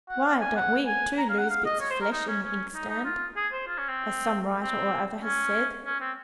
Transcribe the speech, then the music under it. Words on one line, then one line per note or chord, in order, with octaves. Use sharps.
Why, don't we, too, 'lose bits of flesh in the inkstand?' as some writer or other has said.
F#5
F5
G#5
F#5
G#5
A#5
F5
F#5
F5
D#5
C#5
C5
A#4
D#4
C#4
C#4
D#4
D#4
F4
G#4
C5
F4
C#4
C4
C4
C#4
C#4
C4